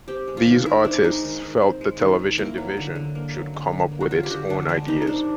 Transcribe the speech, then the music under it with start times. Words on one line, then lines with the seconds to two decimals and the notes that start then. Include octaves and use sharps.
These artists felt the television division should come up with its own ideas.
0.08 C4 G4
0.28 G#3
0.37 F4
0.47 D#3
0.66 D#3 E4
0.85 C4 D4
1.04 G#3 D#4
1.23 D#3
1.42 D#3
1.62 C4
1.81 G#3
2.00 D#3
2.19 D#3
2.38 A#3 E4
2.58 F#3
2.77 D3
2.95 D3
3.15 A#3
3.35 F#3
3.53 D3
3.73 D3
3.92 A#3
4.01 F#4
4.11 F#3 F4
4.23 G4
4.30 D3 F#4
4.49 D3 D4
4.69 G#3 D4
4.88 D#3 D#4
5.02 D#4
5.07 C3 D4